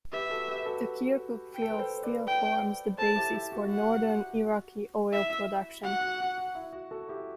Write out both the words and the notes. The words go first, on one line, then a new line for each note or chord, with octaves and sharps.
The Kirkuk field still forms the basis for northern Iraqi oil production.
G4 B4 E5
F#4 A4
G4 B4
B4
F#4 A4
G5
A4
B4
A4 C5
B4 D5
G5
A4 C5 A5
E4 G4
E4 G4
F#4
F#5
E4 E5
F#4 F#5
F#4
F#4
F#4
E4
F#4
F#4 A4
E4 G4